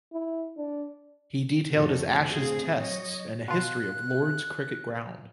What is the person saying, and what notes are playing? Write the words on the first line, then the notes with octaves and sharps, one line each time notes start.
He detailed his Ashes Tests and a history of Lord's Cricket Ground.
E4
D4
F2 A2 C#3 C4 F#4 A4
A2 D3 C4 G#4 F5
F#3 C#5 D#5
B2 F4 F#6